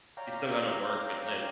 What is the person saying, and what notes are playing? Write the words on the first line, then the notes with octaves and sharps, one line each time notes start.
you still gotta work and live.
C#5 D5 F5 G5 A#5